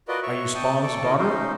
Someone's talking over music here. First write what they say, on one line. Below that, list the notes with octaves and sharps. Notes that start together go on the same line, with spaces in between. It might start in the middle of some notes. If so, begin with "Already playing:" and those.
"Are you Spawn's daughter?"
F4 F#4 A#4 B4 D5 D#5
C#5 E5 C#6
G5 A5 C#6 D#6
A4 D5 C#6
E4 A#4 D5 D#5
C#4 D#4 C5